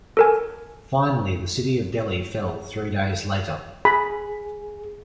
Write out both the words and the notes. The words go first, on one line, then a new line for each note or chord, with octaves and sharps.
Finally, the city of Delhi fell three days later.
A4 A#4 G#5
G#4 B5